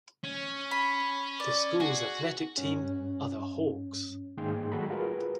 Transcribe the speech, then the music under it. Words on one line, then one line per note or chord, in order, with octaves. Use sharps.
The schools' athletic teams are the Hawks.
C#4
B5
D5
F#4 G#4
G2 C#4
G#2 D#3 A#3 G#4 G5 C6
F#3 G#3 F#4 A4 A#5 B5
F4 F#4 G#4 A#4 B4